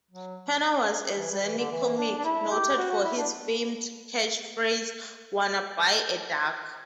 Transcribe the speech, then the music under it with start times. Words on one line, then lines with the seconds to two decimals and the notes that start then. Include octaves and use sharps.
Penner was a zany comic, noted for his famed catchphrase, Wanna buy a duck?
0.11 F#3
1.17 E3
1.31 G3
1.44 E3
1.58 D3
1.71 E3
1.98 D4
2.18 D4
2.25 E4
2.51 G4
2.78 F#4
2.91 F#4
3.04 E4
3.18 D4